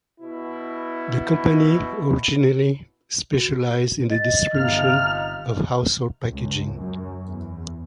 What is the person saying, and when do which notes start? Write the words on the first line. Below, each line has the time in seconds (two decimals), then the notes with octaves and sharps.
The company originally specialised in the distribution of household packaging.
0.20 B2 E4
3.33 F#4
4.10 D#5 A6
4.54 G1 C3 F3 D#4 F6
6.27 C#2
6.74 F#2
7.27 E2